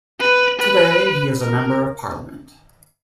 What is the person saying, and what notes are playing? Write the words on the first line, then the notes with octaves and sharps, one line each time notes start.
Today he is a Member of Parliament.
B4
B4
A#4